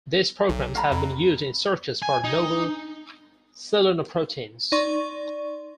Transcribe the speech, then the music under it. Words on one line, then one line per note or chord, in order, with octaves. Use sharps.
These programs have been used in searches for novel selenoproteins.
B1
F5 A#5 B5
F2
G#5
D#4
D#4 D5 C6 C#6